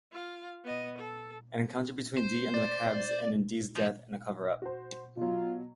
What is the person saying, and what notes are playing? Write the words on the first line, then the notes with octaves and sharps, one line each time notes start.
An encounter between Dee and the McCabes ends in Dee's death and a cover-up.
F4 F5
B3 D#5
A4
C5
D5
E3 F3 G6
F#4 C5
B2 F#3 F4